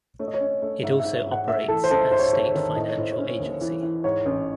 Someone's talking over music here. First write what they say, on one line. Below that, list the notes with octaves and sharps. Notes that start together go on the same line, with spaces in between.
It also operates as State Financial Agency.
A3 C#5
D#5
C#5
C#4
A3
G#2 E5
E5
G#2
E5
G#2
F#5
A3 E5
E3 A4
C5
C#2 A4
G#2 C5
C#5
C5
G#2 C#5
C5
C#5
D#3 C5
A2 D#5
C#5
A2 C5
C#5
C#4
D#2
E3
E3
G#2 C#5
A1